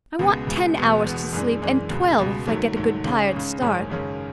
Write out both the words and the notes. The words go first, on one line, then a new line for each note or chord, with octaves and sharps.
I want ten hours to sleep and twelve if I get a good tired start.
C#2 B2 G#3 B3
C#2 B2 G#3 B3
E1 E2 B2 G#3 B3
E1 E2 B2 G#3 B3
F#2 E3 G#3 D4
F#2 E3 G#3 D4
C#2 B2 G#3
C#2 B2 G#3
G#1 G#2 F#3 A3
G#1 G#2 F#3 A3
C#2 C#3 G#3 C#4
C#2 C#3 G#3 C#4
G#1 F#2 C#3 G#3 C#4
G#1 F#2 C#3 G#3 C#4